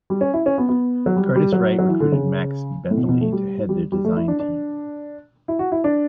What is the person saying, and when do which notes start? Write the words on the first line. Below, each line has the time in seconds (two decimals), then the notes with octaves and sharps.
Curtiss-Wright recruited Max Bentele to head their design team.
0.10 G3
0.21 C#4
0.34 E4
0.46 C#4
0.58 B3
0.69 B3
1.06 F#3
1.17 G3
1.36 G3
1.52 F#3
1.79 F#3
1.88 E3
2.00 D3
2.12 C#3
2.91 A2
2.97 B2
3.09 B2
3.21 A3
3.32 G3
3.69 G3
3.92 G3
4.05 A3
4.17 E4
4.28 D4
4.39 D4
5.48 E4
5.59 F#4
5.72 E4
5.84 D4